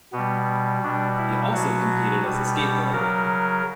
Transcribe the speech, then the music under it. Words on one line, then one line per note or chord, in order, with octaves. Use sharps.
He also competed as a skateboarder.
B2 G3 B3
B2 G3 D4
E4
B2 F#3 F#4
B2 G3
G4
C#3 F#3 A#4